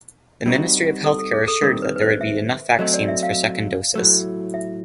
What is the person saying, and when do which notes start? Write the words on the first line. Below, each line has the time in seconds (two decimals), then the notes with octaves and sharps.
The Ministry of Healthcare assured that there would be enough vaccines for second doses.
0.46 G3 C4 D#4 F#4
1.04 A4
1.19 A4
1.33 G#4
1.48 A4
1.62 G2 D#3 G3 C4 A#4
1.82 B4
1.96 B4
2.01 C5
2.21 E5
2.79 F#3 A3 C4 D#5
2.94 D5
3.08 E5
3.23 F5
3.95 A2 F#3 A3
4.54 E5